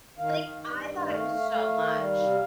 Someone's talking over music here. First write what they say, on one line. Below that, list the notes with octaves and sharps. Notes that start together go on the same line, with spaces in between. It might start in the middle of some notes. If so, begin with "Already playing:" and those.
Like, I thought it was so much,
D#3 F5
D#3
G2
D#3
A3 F5
A3
A3 F5
D#3
G3
C3